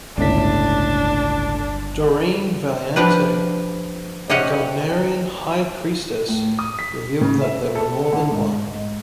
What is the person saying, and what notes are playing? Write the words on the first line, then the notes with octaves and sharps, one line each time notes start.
Doreen Valiente, a Gardnerian High Priestess, revealed that there were more than one.
G1 C#2 A2 D4 B6
F3 D4 G4 B4
C3 C#4 G4 C#5 D#5 F#5
A2
D#6
B6
C#3
E5
A4
D3
G#2
G#2